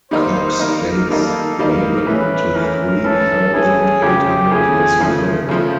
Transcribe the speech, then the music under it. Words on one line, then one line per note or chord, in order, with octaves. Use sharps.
Cox dates Ravan to "three thousand eight hundred years ago".
D#3 G3 A#3 D#4 C5
D#3 G3 A#3 D#4 A#4
D#3 G3 A#3 D#4 A4
D#3 G3 A#3 D#4 A#4
E3 A3 C#4 B4
E3 A3 C#4 A#4
E3 A3 C#4 A4
E3 A3 C#4 G#4
C#3 F3 A3 G4
C#3 F3 A3 G#4
C#3 F3 A3
C#3 F3 A3